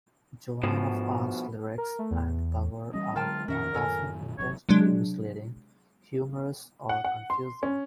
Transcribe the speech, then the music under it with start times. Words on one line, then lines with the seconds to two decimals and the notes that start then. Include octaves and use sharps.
Joan of Arc's lyrics and cover art are often intentionally misleading, humorous, or confusing.
0.63 G#2 B2 F3
1.78 A#4
1.99 A3
2.11 E2
2.94 E3 G3 C#4 D#5
3.16 D3 F#3 G#3 F4 A#4 G5 A5
3.48 F2 A#2 D#3 C#4 A#4 E5 F#5
3.74 F#2 A2 D#3 A4 C#5 G#5
4.38 G#1 C3 F#3 C#5
4.69 C3 F#3 G#3 D4
6.89 F#5
7.04 F#5
7.30 C6
7.63 C#4